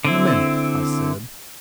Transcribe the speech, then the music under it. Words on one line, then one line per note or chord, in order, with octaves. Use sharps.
"In a minute," I said.
D3 C4 E4